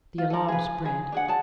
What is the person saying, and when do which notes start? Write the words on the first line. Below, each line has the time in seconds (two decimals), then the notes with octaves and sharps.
The alarm spread.
0.18 F4
0.30 A4 A#4
0.48 G#4 B4
0.85 G#4
1.12 D4 G#4 F#5
1.28 G#4 D5 A5